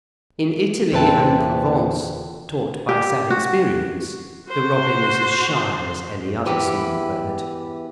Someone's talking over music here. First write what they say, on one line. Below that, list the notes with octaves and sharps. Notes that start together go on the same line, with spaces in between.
In Italy and Provence, taught by sad experience the robin is as shy as any other small bird.
E2 A#2 C4 B4 E5 A5
G4
F#4
F#4 C5
E2 E3 G4 B4 E5